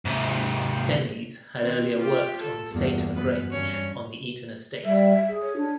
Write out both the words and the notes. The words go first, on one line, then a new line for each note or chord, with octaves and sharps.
Dennys had earlier worked on Saighton Grange on the Eaton estate.
G#2 C3
D#3 C4
F4 G4
A4
E2 G2 A#2
F#2 B3 B4
G2 C#4 C#5
G3 E5
G#4
C#5
D4